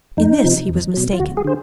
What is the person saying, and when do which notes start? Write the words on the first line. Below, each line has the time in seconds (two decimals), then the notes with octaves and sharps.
In this he was mistaken.
0.17 F2 D#4
0.44 C3 F3
0.69 E2
0.94 B2 F#3
1.13 F4
1.20 D2 F#4
1.37 G#4
1.44 D3 C5